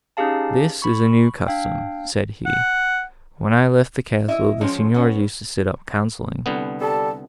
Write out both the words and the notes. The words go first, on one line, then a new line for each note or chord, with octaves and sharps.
'This is a new custom,' said he; 'when I left the castle, the Signors used to sit up counselling.'
C#4 D#4 G4 G#4 F5 A5
B5 C#6
D4 F5 G5
F#5
E4 D#5 E5
F3 G#3 C4 C#4
B3 C#4
C2 D3 B3
G3 A4 A5